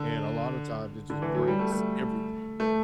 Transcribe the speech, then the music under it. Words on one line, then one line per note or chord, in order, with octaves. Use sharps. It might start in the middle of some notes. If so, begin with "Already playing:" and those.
and a lotta times it just breaks everything,
Already playing: D3
D3
E3
F#3
G3
A3
A3
A3